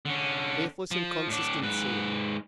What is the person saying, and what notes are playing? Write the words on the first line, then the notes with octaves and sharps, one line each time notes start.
Faithless inconsistency!
D3 C#4
F3
A2 D4
G#2 B4